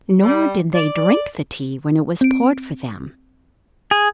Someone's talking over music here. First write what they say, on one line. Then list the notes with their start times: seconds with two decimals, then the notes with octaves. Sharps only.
Nor did they drink the tea when it was poured for them.
0.22 G3
0.74 D5
2.21 C4 D7
3.91 G#4